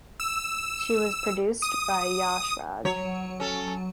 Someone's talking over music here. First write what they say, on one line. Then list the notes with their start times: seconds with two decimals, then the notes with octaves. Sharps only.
She was produced by Yash Raj.
0.20 E6
1.62 D#6
2.85 F#3 C#5
3.40 C#4 A4